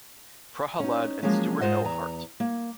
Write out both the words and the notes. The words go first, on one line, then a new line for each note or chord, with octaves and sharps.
Prahalad and Stuart L. Hart.
C#4 D#4
F3 F#3 G#3 A#3 C#4
G#2 F4 C5 D#5 F#5
E2 A#5
A#3